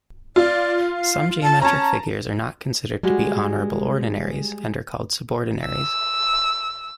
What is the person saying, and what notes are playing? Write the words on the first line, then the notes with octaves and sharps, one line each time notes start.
Some geometric figures are not considered to be "honourable ordinaries" and are called "subordinaries".
F4 D5
F5
A5
C#4 A5 A#5
G3 G#3 F#4
E6